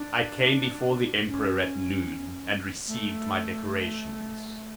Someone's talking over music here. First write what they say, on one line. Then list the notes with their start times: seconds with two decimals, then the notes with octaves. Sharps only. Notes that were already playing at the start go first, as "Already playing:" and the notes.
I came before the emperor at noon and received my decorations.
Already playing: D4
1.29 C#4
2.88 A3